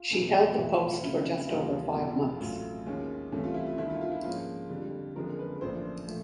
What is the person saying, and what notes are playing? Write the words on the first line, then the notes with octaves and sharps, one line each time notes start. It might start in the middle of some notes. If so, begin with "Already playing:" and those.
She held the post for just over five months.
Already playing: F4
F1 E2 B2
B1 A2 E3 E4
E4
F4
F2 C#3 F#3 A#3 C#4 E4
D#2 C#3 E3 G3 A#3 F4
F1 E2 B2
A1 A2 F#3 F4
D#2 D#3 G#3 C#4
C2 C3 E3 A3 C#4
F4
E4
F4
G1 G2 D#3 E4
F4
F4
E4
G#2 F3 A#3 C#4 F4
F2 D3 G3
F#1 F2 D3 F3 G#3 A#4
B4
A1 A2 F3 A#3 D4 C5
A#2 F3 A3